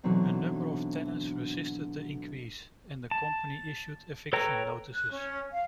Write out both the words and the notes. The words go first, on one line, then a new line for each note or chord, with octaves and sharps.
A number of tenants resisted the increase, and the company issued eviction notices.
B2 D3 E3 F#3 C4 D#4
A5
A4 B4 C#5 G5 A#5
F#6
C#4
F5